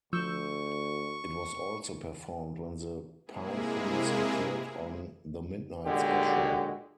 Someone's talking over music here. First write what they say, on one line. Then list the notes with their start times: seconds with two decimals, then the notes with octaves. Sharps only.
It was also performed when the Pythons appeared on "The Midnight Special".
0.13 D2 F3 C#6 E6 G6
3.26 C3 G#3 A#3 E4 G#4
5.86 B1 A#2 D3 G#3 F#4 G4